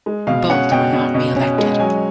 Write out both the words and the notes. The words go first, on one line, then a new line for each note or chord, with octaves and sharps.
Both were not re-elected.
G#3
B2 F5
C#4 F#5
B2 G5
B2
B2
C#4
G#3
F#3 G#5